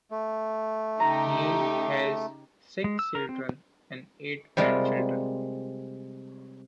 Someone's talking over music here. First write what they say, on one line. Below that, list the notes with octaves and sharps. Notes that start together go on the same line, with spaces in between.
He has six children and eight grandchildren.
A3
C#3 D#4 G4 A#5
G#3
E6
A#4
C4
C3 G3 G#3 F4 A#4